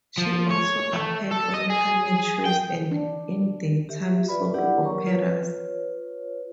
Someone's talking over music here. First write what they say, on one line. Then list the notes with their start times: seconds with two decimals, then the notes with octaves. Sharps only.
She also appeared on panel shows and in daytime soap operas.
0.18 F3
0.51 C#5
0.93 A3
1.31 A4
1.54 D#5
1.70 G#4
2.45 G5
2.91 D4
3.89 G4 E5
4.28 F4 B4 D5 E5 B5
4.54 D4 E4 G4 D5 F#5
4.82 F#3 A#4 C#5 A#5 C#6
5.06 F4 B4 C#5